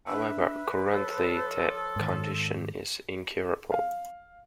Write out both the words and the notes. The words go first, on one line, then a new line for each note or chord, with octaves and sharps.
However, currently the condition is incurable.
D4 B4 E5
F3 A4 C#5
G#2 D#3
F5